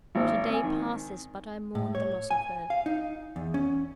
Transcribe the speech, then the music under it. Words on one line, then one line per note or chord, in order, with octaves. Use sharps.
Not a day passes but I mourn the loss of her.
G#1 G#3 A#3 C5
C4 G#5
D#3
A2
C#5
G#5
F5
D#4
E2
C#4